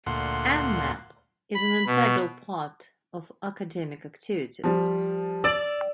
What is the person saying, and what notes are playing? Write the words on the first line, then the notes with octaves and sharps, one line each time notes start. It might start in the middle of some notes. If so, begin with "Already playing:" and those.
Nmap is an integral part of academic activities.
D2 A#2 F#5 C6
B5
B2
F3 G3
D5 E6